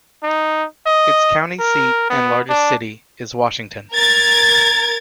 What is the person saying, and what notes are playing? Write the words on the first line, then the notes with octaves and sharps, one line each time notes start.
Its county seat and largest city is Washington.
D#4
D#5
A#4
B3
D4
A#4 G#6 A6